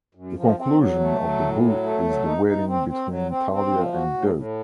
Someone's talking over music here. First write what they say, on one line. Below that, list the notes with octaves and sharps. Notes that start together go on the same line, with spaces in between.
The conclusion of the book is the wedding between Talia and Dirk.
F#2
F3
C4
F#3
A3
F#3
A2
F#3
A3
F#3
D#4
D#4
C4
C4
F#3
C4
C4
F3
F#4
A2
A2